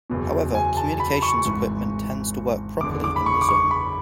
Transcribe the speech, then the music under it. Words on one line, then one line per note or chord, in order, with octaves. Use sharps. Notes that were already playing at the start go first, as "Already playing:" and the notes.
However, communications equipment tends to work properly in the zone.
F#1 E2 B2
G#5
A5
B5
C#6
G#1 G#2 E3
F#1 E2 D3 D6
D6
B5
C#6
D6
C#6
B5